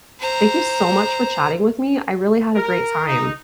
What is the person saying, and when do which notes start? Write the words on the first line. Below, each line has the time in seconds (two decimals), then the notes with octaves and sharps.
Thank you so much for chatting with me, I really had a great time.
0.19 C5 A#5
2.56 A#4
3.06 D#4